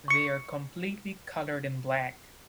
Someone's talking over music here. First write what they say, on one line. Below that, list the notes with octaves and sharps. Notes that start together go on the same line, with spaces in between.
They are completely colored in black.
C#6 C#7